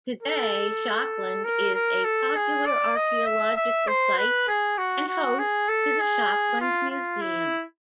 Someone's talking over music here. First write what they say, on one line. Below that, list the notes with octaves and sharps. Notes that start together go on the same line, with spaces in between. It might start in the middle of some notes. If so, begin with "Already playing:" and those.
Today Schokland is a popular archaeological site and host to the Schokland Museum.
A4
A#4
A#4
A4
G#4
D5
D#5
E5
E5
C5
B4
G#4
F#4
F#4
G#4
A4
G#4
F4
F4
E4